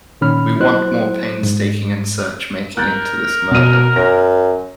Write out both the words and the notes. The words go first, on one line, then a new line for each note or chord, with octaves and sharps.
We want more painstaking and search-making into this murder.
A#2 D#3 C#4 B5 F6
F#3 E4 C5 F#6
G#2
A#4 F#6 G6 A6
B2 D#7
F#2 A#6